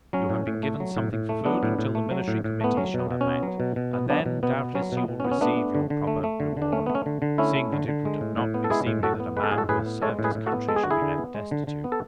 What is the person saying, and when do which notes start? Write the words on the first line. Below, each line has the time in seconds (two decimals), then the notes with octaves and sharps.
You have been given something for food until the Military Committee shall have met, and then, doubtless, you will receive your proper reward, seeing that it would not be seemly that a man who has served his country should be left destitute.
0.13 F#3 C#4
0.30 A2
0.47 A2
0.63 A3
0.80 F#3
0.97 A2
1.13 A2
1.29 A3
1.45 F#3 B3 D4
1.63 A2
1.79 A2
1.95 A3
2.11 F#3
2.28 A2
2.44 A2
2.61 A3 B3
2.77 F#3 C#4
2.94 B2
2.99 B3
3.11 B2
3.21 C#4
3.27 B3
3.43 F#3
3.60 B2
3.76 B2
3.93 B3
4.09 F#3 B3 D4
4.26 B2
4.43 B2 B3
4.59 B3
4.75 F#3 C#4
4.92 B2
4.97 B3
5.08 B2
5.20 C#4
5.24 B3
5.31 C#4
5.41 A3 B3 D4
5.57 A3
5.75 D3
5.90 D3
6.07 A3
6.24 A3
6.40 D3
6.57 D3
6.62 D4
6.72 A3 C#4
6.86 A3 B3
6.95 C#4
7.06 D3
7.22 D3
7.38 A3 C#4 E4
7.56 A3
7.72 D3
7.88 D3
8.05 G#3
8.21 A2
8.37 A2
8.54 B3
8.64 A4
8.70 G#3 E4 G#4
8.87 A2
9.03 A2 F#4 A4
9.20 B3
9.37 G#3 B4
9.44 A4
9.51 A2 G#4
9.58 F#4 A4
9.69 A2 G#4 B4
9.86 B3
10.02 G#3 A4 C#5
10.19 A2
10.24 G#4 B4
10.35 A2
10.46 F#4 A4
10.52 B3
10.68 G#3 A4
10.76 G#4
10.83 D3 F#4
10.90 E4 G#4
11.02 D3
11.18 B3
11.34 G#3
11.51 D3
11.67 D3
11.84 B3
11.92 A4